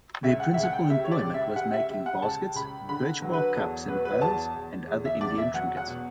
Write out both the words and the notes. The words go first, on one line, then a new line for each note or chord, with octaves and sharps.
Their principal employment was making baskets, birch-bark cups and pails, and other Indian trinkets.
C#2 E5
F#5
C#2 E5
F#5
G5
G3 E5
C#5
D5
C#2
E5
G3 F#5
E5
G3 E5
F#5
C#2 A5
C#2 B5
D3 B5
F#3
B4
E2 A4
F#3 B4
B4
E2 A5
E2
E2
E5
E2 D5
E5
F#3 F#5
F#5
B2